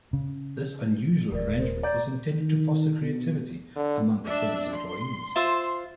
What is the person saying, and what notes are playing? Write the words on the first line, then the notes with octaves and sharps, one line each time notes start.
This unusual arrangement was intended to foster creativity among the firm's employees.
C#3
D#1 A#4 D5
A#4 C5
D5 A#5 G6
D#3
B2
D3
D4 E5
C6
F4 C5 E5